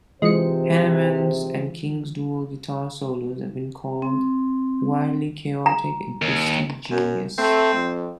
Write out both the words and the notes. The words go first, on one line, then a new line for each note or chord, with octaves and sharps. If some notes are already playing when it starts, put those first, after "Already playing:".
Hanneman's and King's dual guitar solos have been called "wildly chaotic," and "twisted genius".
C3 E3 G#3 D#4 F4 G#4 C5 C#7
C4
A#5
D#2
F#2
A3 C4
F2